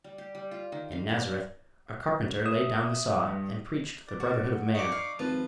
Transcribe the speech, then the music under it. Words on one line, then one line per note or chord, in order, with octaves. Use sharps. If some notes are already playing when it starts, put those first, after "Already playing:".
In Nazareth a carpenter laid down the saw and preached the brotherhood of man.
G3
G4
G3
F4
D#3
F5
D4
E5 D#6
G2
D5
F#4
D#4 D5 C#6
F5
G#1 F3 B4 A5